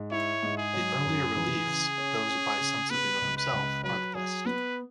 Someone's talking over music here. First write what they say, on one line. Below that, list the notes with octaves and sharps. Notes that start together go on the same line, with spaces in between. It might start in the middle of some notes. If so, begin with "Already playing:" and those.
The earlier reliefs, those by Sansovino himself, are the best.
Already playing: G#2
E4 C#5
G#2
G#4
F#3
F#2
E3
C#3
C#4
C#4
C#3
B3 B4
C#2
B4
C#2
F#3 B4
F#3 G#4
B3 B4